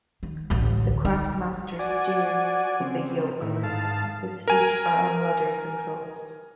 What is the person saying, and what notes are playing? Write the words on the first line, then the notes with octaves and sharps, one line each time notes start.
The craftmaster steers with a yoke, his feet are on rudder controls.
D#3
A1 D2
D#4
F#4 D5 G#5
C#3 C4
A2 D#3 E4
G#2 F5 A5
A#4 G#5